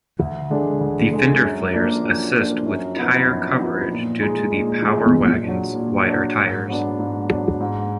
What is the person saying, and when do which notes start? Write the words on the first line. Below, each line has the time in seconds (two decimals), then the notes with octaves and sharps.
The fender flares assist with tire coverage due to the Power Wagon's wider tires.
0.19 D2
0.50 D3 G#3 D4
0.80 D2
1.11 D3 G#3 D4
1.43 F#2
1.73 F3 A#3 D4
2.05 F#2
2.36 F3 A#3 D4
2.66 F#2
2.96 F3 B3 D#4
3.28 F#2
3.59 F3 B3 D#4
3.90 A#2
4.20 G#3 D#4
4.51 A#2
4.82 G#3 D#4
5.13 A#2
5.44 F#3 D4
5.74 A#2
6.06 F#3 D4
6.37 G#2
6.68 F#3 B3 D4
6.99 G#2
7.29 F#3 B3 D4
7.60 G#2